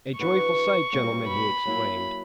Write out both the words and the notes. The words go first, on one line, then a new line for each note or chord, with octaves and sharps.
"A joyful sight, gentlemen!" he exclaimed.
E3 B3 D4 F#4 B4 C#6
B2 G3 A#3 C#4
B5
F#3 A#3 E4